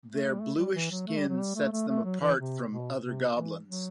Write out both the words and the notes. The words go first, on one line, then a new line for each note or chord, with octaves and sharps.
Their bluish skin sets them apart from other goblins.
A3
G3
A3
G3
E3
F#3
A3
G3
F#3
G3
A3
A3
A3
F#3
E3
C3
B2
C3
E3
F#3